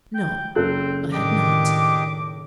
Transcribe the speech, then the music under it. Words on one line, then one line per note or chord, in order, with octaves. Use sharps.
No, I had not.
G5
F#1 C4 A4 F#6
A2 D#3 D4 G4 D#5 D6